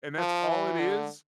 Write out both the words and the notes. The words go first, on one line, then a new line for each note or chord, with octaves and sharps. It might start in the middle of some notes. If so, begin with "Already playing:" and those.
and that's all it is.
F3
E3
D3